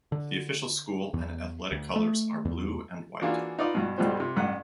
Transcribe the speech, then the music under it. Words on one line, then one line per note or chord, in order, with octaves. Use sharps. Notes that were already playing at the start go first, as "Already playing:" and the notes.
The official school and athletic colors are blue and white.
D3
E2
D2
A3
E2
E3 A#3 D4 F4 F#4 G#4
D#4 F4 B4 D5 D#5
G2 B2
B1 G2 B2 G3 G4 C5
C3
A1 G2 F#5